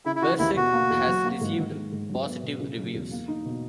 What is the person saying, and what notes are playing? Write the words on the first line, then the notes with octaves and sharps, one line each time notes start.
Bersirc has received positive reviews.
C#3 E4
E4
E3 F#4
D#2 E4
B2 F#4
A#3
E2
F#3
A#3
G#2
D#3
G#3
G#2
F#3
B3
B2
C#3
F#3
E2
A#3
D#4
B2